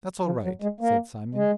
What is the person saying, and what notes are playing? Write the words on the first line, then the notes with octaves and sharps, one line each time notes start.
'That's all right,' said Simon.
F3
F#3
G#3
A#3
G#3